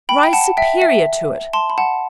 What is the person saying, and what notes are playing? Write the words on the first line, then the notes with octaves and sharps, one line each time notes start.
Rise superior to it.
G5 B5
G5
F#5 A5
E5 G5
E5
A5 C6
B5
F#5 A5